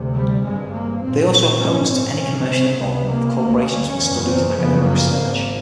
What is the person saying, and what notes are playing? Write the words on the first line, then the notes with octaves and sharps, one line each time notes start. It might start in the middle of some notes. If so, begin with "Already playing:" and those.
They also oppose to any commercial involvement of corporations within studies and academic research.
Already playing: D2 C3
G3
G#1 G2 G#3
A#3
B1 A#2 C4
A#1 G#2 C#4
C4
C2 C3 C#4
C4
C#2 C3 B3
A#3
D2 C#3 A#3
C#4
F#1 E2 C#3
C4
F#1 F2 C#3 B3
A#3
G#1 G#2